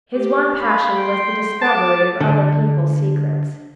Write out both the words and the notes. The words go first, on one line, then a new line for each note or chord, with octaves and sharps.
His one passion was the discovery of other people's secrets.
G4
F5 B5
G5 C6
A4 A5 D6
D3